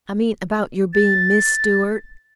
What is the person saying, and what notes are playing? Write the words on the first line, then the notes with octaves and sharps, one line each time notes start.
"I mean, about your being 'Miss Stewart'?"
A6